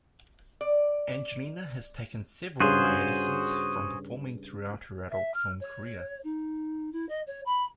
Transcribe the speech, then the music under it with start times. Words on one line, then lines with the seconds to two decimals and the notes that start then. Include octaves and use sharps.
Angelina has taken several hiatuses from performing throughout her adult film career.
0.61 D5
2.60 G2 C#3 F#4 G#4 C5
5.10 E5
5.34 F6
5.60 C#5
6.23 D#4
6.92 E4
7.08 D#5
7.27 C#5
7.45 B5